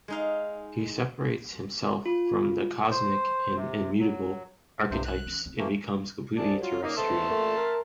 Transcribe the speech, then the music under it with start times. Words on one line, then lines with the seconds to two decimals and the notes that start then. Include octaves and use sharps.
He separates himself from the cosmic and immutable archetypes and becomes completely terrestrial.
0.08 G#3 D#4 F5
2.06 F4
2.91 C5
3.56 C3
4.00 F#3
4.91 B1 G2 C3 C5
5.05 F#6
5.26 E3 C#4
5.46 C4
5.58 E3 A3 A#3
6.38 C2 G#4 D5 A5
6.62 F#3 F4
6.83 C#3 A#3 D#4 D5 D#6
6.97 E2 G#2 A4 E5 A5 C6
7.29 A#2 A3
7.56 A#4